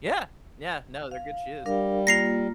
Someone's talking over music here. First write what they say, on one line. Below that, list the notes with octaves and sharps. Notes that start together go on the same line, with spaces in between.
Yeah. Yeah. No, they're good shoes.
F5
G3 D4 A#4 F5
A#3 F4 A#6 C7 F7